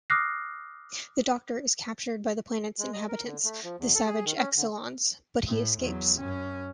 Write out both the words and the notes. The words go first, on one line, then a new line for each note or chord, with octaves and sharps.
The Doctor is captured by the planet's inhabitants, the savage Exxilons, but he escapes.
D6 D#6 F6 F#6 A#6 C7
G#3
D#5
A#4
D3
A3
F3
E2
A4
G#4
D#3
C#4
D3
A2
E2 F#3
F#2 C#4